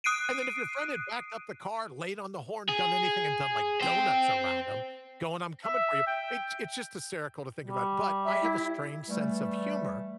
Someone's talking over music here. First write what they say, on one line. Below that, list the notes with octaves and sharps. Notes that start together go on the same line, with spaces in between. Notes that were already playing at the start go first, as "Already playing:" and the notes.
And then if your friend had backed up the car, laid on the horn, done anything, and done, like, donuts around him going, "I'm coming for you." It it's just hysterical to think about it, but I have a strange sense of humor
D#6 F#6 C7 D7 D#7
G#4
C5 G5
E5
G5
G3
E5
E4
E3 G3 A3